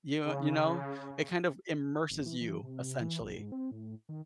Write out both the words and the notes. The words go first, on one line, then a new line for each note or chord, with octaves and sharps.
Y you know? It kind of immerses you, essentially.
C#3
F#1
E3
E3
C3
E3
A#1
G#2
C4
A2
D#3